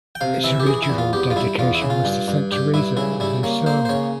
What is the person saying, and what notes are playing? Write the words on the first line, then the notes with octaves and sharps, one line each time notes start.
Its original dedication was to Saint Theresa of Lisieux.
G5
C3 F5
E3 E5
G4
E3 G#4
E4
E2
F4
E2 G4
F4
G3 E4
E2 F4
E4
C#3
F4
G2
G2
G2 G4
G2 E4
C#3 E4
G3 E4
A#3 C#5
A#3 C5
C5
C#3 C#5